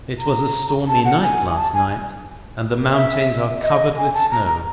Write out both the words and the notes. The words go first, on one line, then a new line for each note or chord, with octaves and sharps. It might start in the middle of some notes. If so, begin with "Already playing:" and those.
It was a stormy night last night, and the mountains are covered with snow.
A#5
A5
F#5
G#5
A5
G#5
E5
D#5
G#5
A5
A#5